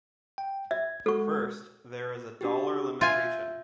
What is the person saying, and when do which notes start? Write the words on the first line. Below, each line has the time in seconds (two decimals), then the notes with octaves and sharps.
First, there is a dollar limitation.
0.38 G5
0.71 E5 G#6
1.06 G#3 F#4 A4 C#6
2.41 D4 F#4 G4
3.01 F4 E5 G#5 G6